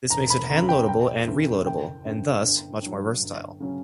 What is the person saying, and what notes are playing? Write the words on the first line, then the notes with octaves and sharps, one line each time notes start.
This makes it handloadable and reloadable, and thus much more versatile.
E1 A#5
B5
D2 C#3 A#5
G5
E1 G5
D2 C#3 E3
F#1 G5
F#2 D3
G1
G2 F#3
G1
C#3 F#3 C#4